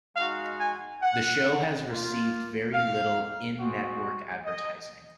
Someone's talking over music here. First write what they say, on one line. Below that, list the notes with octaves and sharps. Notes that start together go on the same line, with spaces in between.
The show has received very little in-network advertising.
G#3 D#4 F#4 F5
G#5
F#5
A#3 F4
F5
G#3 C4 F#4
D#5